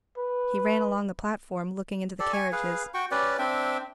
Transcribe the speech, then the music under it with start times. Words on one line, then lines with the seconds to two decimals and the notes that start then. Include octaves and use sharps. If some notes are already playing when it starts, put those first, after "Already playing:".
He ran along the platform, looking into the carriages.
0.17 B4
2.20 G4 A4 D5
2.32 G#5 C#6
2.52 G#4 B4 F5
2.94 F#4 G5 C#6
3.11 C#4 G4 B4 D5
3.39 C4 D4 E5 G5